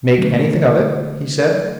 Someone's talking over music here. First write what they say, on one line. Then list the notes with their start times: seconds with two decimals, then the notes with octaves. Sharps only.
"Make anything of it?" he said.
0.18 D3 F#3 A3